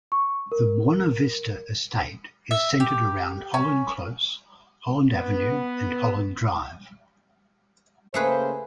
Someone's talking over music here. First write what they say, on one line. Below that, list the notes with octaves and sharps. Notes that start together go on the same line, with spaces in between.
The Buona Vista estate is centred around Holland Close, Holland Avenue and Holland Drive.
C#6
A#4
E5
G4
C#4
B3
C#3 A3 A#3 G#4 B4 C5